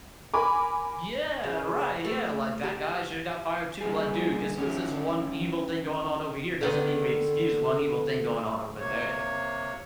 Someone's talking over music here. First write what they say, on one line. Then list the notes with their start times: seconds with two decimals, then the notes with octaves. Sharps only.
Yeah, right, yeah, like, that guy shoulda got fired too like, dude, just 'cause there's one evil thing going on over here doesn't mean we excuse one evil thing going on over there.
0.34 A#4 G#5 B5 D6
1.44 C#3
2.05 A3
2.63 G4
3.81 A#2 G3 G#4
4.58 D#3 C#4 D#4
6.61 D3 D#3 B3
8.79 C3 A#3 C#5